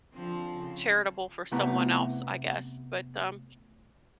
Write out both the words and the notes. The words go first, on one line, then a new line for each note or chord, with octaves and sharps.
charitable for someone else, I guess, but, um
D3 F3 C4
C#3
C3 A3 B3 E4 A#5